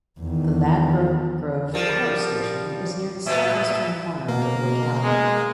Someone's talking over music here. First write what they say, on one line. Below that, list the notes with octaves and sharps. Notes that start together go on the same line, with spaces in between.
The Ladbroke Grove Power Station is near the southeastern corner of the locality.
E2 D#3
F3 G3 A#4
A2 B3 E5
B2 A#3
G#3